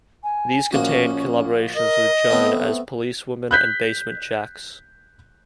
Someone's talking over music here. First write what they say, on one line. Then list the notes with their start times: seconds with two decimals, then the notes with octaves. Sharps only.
These contained collaborations with Joan As Police Woman and Basement Jaxx.
0.23 G#5
0.72 A#1 A#3 C#4 F#4
1.75 A#4 D#5
2.30 A3 B3 C4 A4
3.51 F#6 G6 B6